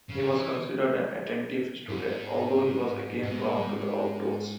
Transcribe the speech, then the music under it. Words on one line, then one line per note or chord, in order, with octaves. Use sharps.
He was considered an attentive student, although he was again drawn to the outdoors.
C#3
D3
E3
G#2
G#2